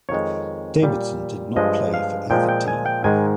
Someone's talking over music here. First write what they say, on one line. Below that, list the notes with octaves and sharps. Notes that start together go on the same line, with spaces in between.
Davidson did not play for either team.
F2 D#3 G#3 C#5
A#2 G3
G2 F3 G#3 D#5
F5
A#2 F3 G#3 G5
G5
G#5
G5
G#2 D#3 G#3 G#5